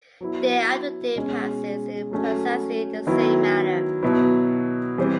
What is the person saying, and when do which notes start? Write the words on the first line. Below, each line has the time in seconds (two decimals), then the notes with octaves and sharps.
Day after day passes in precisely the same manner.
0.21 F#3 B3 E4
1.16 B2 G#3 C#4
2.11 F#3 A3 C#4
3.07 D#3 F#3 B3 E4
4.03 B2 F#3 B3 E4
4.98 E3 G3 C4